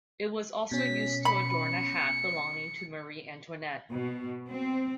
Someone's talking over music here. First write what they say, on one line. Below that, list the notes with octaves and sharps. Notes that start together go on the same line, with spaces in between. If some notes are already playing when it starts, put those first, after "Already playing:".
It was also used to adorn a hat belonging to Marie Antoinette.
B2 C#4 B6
B5 C#7
B2
C4